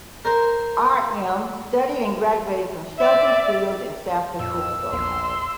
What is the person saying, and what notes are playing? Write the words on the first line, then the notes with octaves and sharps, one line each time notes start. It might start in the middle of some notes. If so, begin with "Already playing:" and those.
Artem studied and graduated from Shelton Studios in San Francisco.
A#4 C5
D5 E5
F2 A#2 E6
A#1 E2 C6